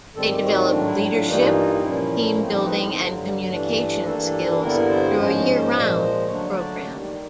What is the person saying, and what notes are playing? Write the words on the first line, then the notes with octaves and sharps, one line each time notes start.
They develop leadership, team-building and communications skills through a year-round program.
G#2 D#3 G3 C4 A4
G4
F#4
F4
A2 F#3 A3 D4 F4
E4
F4
G2 E3 G3 A#3 D#4
A#2 F3 A#3 C#4 E4
A2 F3 A3 C4 D#4
C5
B4
G2 D3 F#3
G2 E3 A3 D4
G2 E3 G3 A#3 D4 A4
G2 D3 G3 B3 E4 A#4
C5
G#2 F3 G#3 C#4
A#2 F3 G#3
D3 F#3 A3 D4 C#5
D5
D#2 D#3 G3 A#3 D5
D5